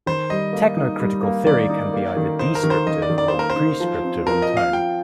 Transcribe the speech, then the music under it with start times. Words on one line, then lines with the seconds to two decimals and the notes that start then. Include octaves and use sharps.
Technocritical theory can be either "descriptive" or "prescriptive" in tone.
0.06 D#3 C5
0.29 G3 D#5
0.53 A#3
0.77 D#4
1.00 G3
1.23 A#3
1.46 D#3 D5
1.70 D#4
1.93 A#3
2.17 D#3
2.39 D#4 C5
2.55 A#4
2.63 D#3
2.70 C5
2.86 D#3 D#5
3.02 D5
3.10 D#3
3.18 D5
3.28 A#3 C5
3.39 A#4
3.50 C5
3.56 D#4
3.80 F3
4.03 C4
4.26 F3 A#4
4.42 D#5
4.49 F4
4.57 F5
4.73 F4 G5